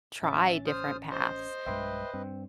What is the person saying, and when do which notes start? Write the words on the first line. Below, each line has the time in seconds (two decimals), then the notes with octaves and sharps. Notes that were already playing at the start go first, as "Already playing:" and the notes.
try different paths.
0.22 A1 C#4 E5 A6
0.66 C5 D#6 F6
1.11 C5 D#5
1.66 B1 G2 G#3 B4 D#5 E5 G5 C6
2.14 G2 C4